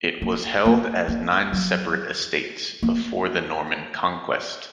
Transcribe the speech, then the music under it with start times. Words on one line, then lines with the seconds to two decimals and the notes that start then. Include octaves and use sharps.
It was held as nine separate estates before the Norman Conquest.
0.22 A#3
0.66 A#3
1.08 A#3
1.52 F#3
2.83 A#3